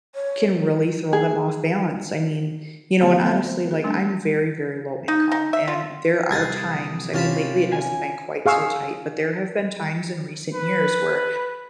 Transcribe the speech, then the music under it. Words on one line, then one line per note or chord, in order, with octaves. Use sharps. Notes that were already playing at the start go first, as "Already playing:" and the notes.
can really throw them off balance. I mean you know, and honestly, like, I'm very, very low income, and there are times- I mean, lately, it hasn't been quite so tight- but there have been times in recent years where
C#5
G#4
D3 F3 A3 B3 G4
F#3 A3 B3 C4 A4 E5
C5
G#4
G3 A3 C#4 D4
D#4
D#4
E5
F4
C2 G#4 G#6 A6 C7
C3 C#4 F4 F5 A5 B5
G#5
G#4 F5 C#6 E6
B4